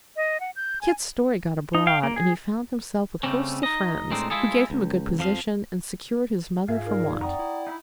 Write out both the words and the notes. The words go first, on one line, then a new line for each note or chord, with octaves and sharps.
Kit's story got abroad and he found himself with hosts of friends, who gave him a good position and secured his mother from want.
D#5
F#5
G6
G#5
D#4
F5 G5
A#3
G#4
C#3 F3 G3 A3 C4 C#4
D#4 D#5
A2 G#3 C4 D4 D#4
G#3 B3 E4 F4 G#4 A4
C#2
F2 F3 F5
G#2 F4 G#4 E5 F5
D#4 A#4 D5
F2 D5 F#5 G5 A#5 C#6 D#6
E4
D#4 E5 B5